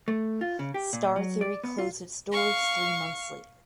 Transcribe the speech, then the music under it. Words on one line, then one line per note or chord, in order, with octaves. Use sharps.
Star Theory closed its doors three months later.
A3
F4
C#3
G4
A#2
F#3
D5
B3
F4
F5 C#6